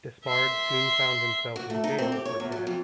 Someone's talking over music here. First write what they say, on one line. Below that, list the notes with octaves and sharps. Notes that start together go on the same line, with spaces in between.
Despard soon found himself in jail for debt.
E5 C6
F#4
A3
D#4
C4
G4
C#5
E2
F#3
F2